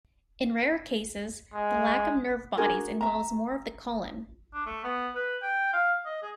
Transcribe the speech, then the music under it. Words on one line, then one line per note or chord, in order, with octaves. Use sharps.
In rare cases, the lack of nerve bodies involves more of the colon.
G#3
D4 F#4 G#4 A#4
E5 A#5
D4
A3
B3
B4
G5
F5
D#5
G#4